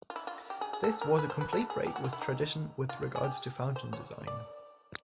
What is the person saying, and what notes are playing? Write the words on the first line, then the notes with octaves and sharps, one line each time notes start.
This was a complete break with tradition with regards to fountain design.
F4
E4
F4
G4
G#4
G#4
A4
A#4
B4
C5
B4
A4
G#4
G4
F#4
F4
E4
D#4
F4
G#4
G4
C5
C#5
D5